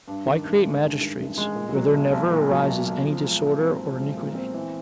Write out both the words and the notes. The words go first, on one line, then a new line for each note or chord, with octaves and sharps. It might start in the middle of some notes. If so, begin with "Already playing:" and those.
Why create magistrates, where there never arises any disorder or iniquity?
G2
D#3
A1
G#3
G2
D#3
A1
G#3
A#2
F#3
B1
B1
A#2
F#3
B1
B1
F3
G#3
A#2
C4
F3
G#3
A#2
C4
E3